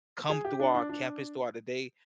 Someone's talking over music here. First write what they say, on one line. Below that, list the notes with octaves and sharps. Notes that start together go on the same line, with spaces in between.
come through our campus throughout the day
G#4
G4
D4
D4
D4